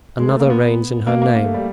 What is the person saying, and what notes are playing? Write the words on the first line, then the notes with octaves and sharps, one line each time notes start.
Another reigns in her name.
G#3
A3
A#3
B3
A#3
A#3
A#3
A3
G3